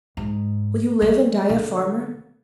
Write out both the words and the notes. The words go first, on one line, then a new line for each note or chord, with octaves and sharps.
Will you live and die a farmer?
G#2
G3
D3